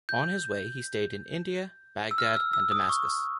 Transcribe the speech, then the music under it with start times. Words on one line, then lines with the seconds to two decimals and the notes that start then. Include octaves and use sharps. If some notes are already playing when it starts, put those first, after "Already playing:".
On his way he stayed in India, Baghdad and Damascus.
0.09 G6
2.11 E6
2.18 F6
2.36 E6
2.53 E6
2.72 D#6
2.89 C#6